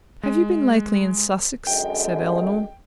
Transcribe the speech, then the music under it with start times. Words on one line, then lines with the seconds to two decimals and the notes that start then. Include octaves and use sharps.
"Have you been lately in Sussex?" said Elinor.
0.23 G#3
1.67 F#2 D3 G#3 G5